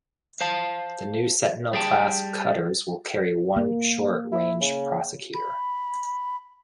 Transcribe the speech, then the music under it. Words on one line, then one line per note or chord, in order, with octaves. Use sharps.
The new Sentinel class cutters will carry one Short Range Prosecutor.
C5 F5 A5
G3 G#4 G5 A5
A#3
E4
C#3
B5